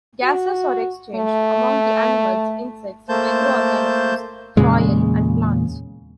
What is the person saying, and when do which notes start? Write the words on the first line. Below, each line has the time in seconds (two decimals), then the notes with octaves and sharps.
Gases are exchanged among the animals, insects, micro-organisms, soil and plants.
0.23 F#4
1.15 A3
3.09 A3 A#3 C5 A5 G6
4.57 E2 A#2 C#3 G#3